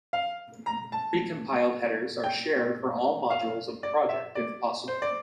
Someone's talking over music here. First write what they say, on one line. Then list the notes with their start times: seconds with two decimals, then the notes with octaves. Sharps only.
Precompiled headers are shared for all modules of the project if possible.
0.13 F5
0.66 A#5
0.92 A5
2.24 G5
3.30 F5
3.83 D5
4.09 E5
4.35 D5
4.88 C5
5.02 D5